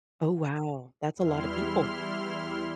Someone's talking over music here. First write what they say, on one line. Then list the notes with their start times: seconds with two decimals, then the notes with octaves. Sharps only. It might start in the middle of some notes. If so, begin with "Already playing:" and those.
Oh, wow, that's a lotta people.
1.15 E2 G3 E4 C6 F6